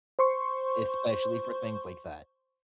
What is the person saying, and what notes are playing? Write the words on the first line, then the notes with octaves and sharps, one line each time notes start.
especially for things like that.
C5 C6 C#6